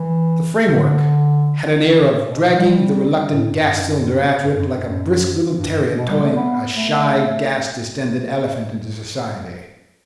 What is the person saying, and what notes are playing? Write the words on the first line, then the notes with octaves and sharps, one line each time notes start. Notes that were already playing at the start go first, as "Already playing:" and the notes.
The framework had an air of dragging the reluctant gas-cylinder after it like a brisk little terrier towing a shy gas-distended elephant into society.
Already playing: E3
D3
B2
B2
G3
A2
G2
F#2
G2
F#2
G2
F#2
G2
B2
G3
A3
B3
B3
A3